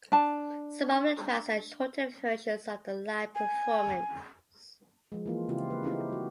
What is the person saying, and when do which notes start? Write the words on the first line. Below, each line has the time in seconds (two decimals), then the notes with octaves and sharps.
Some of the tracks are shortened versions of the live performances.
0.12 D4 A5
3.35 G#5
5.12 F3 G#3
5.26 E3 A#3 F4
5.49 C#3 C4 E4 F4 G4
5.70 A#3 B4
5.83 C4 D#4 E4 G4
6.09 G3 F#4